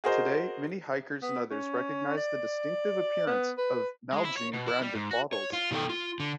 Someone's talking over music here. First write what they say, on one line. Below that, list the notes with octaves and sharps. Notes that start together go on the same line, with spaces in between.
Today, many hikers and others recognize the distinctive appearance of Nalgene-branded bottles.
F#4 G#4 A#4 C5 D#5
B3
C#4
D5
B3
B4
G#3
E4
C#5
B2
E4
G3
G#2
F#4
C#5
F4
B2 D#3 G#3 A4 G5
F4
D3